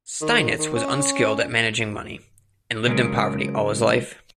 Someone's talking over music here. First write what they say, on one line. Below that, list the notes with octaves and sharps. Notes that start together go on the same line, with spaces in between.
Steinitz was unskilled at managing money, and lived in poverty all his life.
D#3
D#3
C#4
C#3 F#3 G#3 B3 C#4 A#4